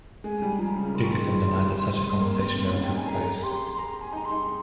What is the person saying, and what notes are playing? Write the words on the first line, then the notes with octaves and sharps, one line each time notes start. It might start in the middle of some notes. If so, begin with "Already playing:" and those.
Dickerson denied that such a conversation ever took place.
G#3 G#5
G3
F3 A#5
C#3
D#3 C6
C#6
C6
F3
G3
G3
G#3
A#3
C4
C#4
D#4 F5
G5
G#5
G#4 A#5
G4 C6
C6
G#4 A#5
G#5
D#4 A#5
C6
D#4